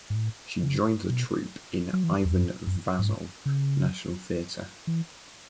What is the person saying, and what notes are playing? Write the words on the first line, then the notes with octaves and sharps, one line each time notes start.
She joined the troupe in Ivan Vazov National Theatre.
G#2
A2
C#3
B2
F#3
E3
E2
F#2
F#2
G#2
C#3
E3